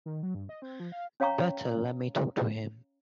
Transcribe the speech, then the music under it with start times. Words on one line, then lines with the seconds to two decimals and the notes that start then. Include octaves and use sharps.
Better let me talk to him.
0.06 D#3
0.23 F#3
0.35 G2
0.49 D#5
0.62 C4
0.80 F3
0.92 F5
1.20 C#4 C#5 F5 G5 A#5 C#6